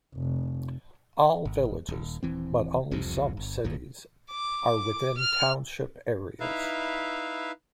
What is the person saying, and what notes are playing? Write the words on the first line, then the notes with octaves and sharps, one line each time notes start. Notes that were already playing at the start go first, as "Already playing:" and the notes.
All villages, but only some cities, are within township areas.
F1
G#1
D#1
D#1 E3 C4
E1 C2 F2 C3
G1
G#1 D#2 A#2
D6
F6
D#4 E4 B4 E5 F5